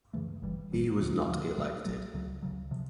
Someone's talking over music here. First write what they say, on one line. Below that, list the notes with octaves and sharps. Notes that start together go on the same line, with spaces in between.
He was not elected.
F#2 C#3 E3 A3
G1 G2 E3 G3
G1 G2 E3 G3
D#2 D3 F3 A3
D#2 D3 F3 A3
B1 A#2 F#3 A3
B1 A#2 F#3 A3
C#2 C#3 F#3
C#2 C#3 F#3
C3 F3